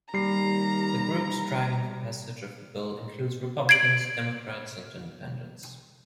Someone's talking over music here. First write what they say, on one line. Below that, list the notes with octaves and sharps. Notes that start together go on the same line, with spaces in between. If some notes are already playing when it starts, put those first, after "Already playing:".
The group striving for passage of the bill includes Republicans, Democrats, and Independents.
D#2 G3 A#5 C7
G#6 C7 D7 F#7